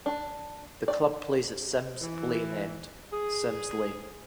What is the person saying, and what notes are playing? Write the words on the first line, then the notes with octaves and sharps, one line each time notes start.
The club plays at Simms Lane End, Simms Lane.
D4
D5
E3
G#4